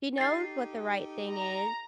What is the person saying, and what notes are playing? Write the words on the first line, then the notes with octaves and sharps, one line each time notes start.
she knows what the right thing is,
D#4 G4 A4 A6 C7
A#5